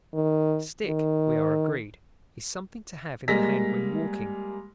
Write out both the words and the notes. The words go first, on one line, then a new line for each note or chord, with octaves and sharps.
A stick, we are agreed, is something to have in the hand when walking.
D#3
D#3
G3 G#3 A#3 A#6 B6